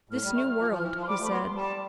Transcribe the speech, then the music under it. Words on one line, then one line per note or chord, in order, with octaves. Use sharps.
"This new world," he said.
A2 F6
G3
A3
F3
F3
E3
F3
C6
G3 D6
A3
B5
B3 C6
G3 A5